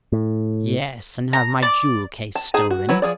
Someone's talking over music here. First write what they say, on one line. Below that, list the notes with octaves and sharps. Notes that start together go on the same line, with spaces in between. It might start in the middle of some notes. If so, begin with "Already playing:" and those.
'Yes, and have my jewel-case stolen!
A2
A#5
D5
A5
D#4 G#4 G#5 A5
F#4
F#3 E4 B4 C#5
F3 G#4 D5